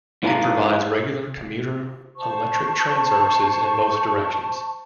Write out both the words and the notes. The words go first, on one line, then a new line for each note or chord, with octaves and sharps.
It provides regular commuter electric train services in both directions.
G#2 E4 B4 F5 A5 A#5
C5 A5 C#6